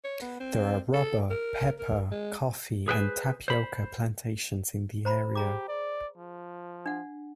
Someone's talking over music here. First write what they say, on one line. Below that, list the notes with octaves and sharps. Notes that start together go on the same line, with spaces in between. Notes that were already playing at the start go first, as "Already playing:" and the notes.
There are rubber, pepper, coffee, and tapioca plantations in the area.
C#5
B3
C4
A4
A#4
A#4
G#3
G#4 B4 C5 G5 G#5
C5 B5
C5 A#5 B5
G4 G#4 A#5 D6
D5
F3
D4 F#5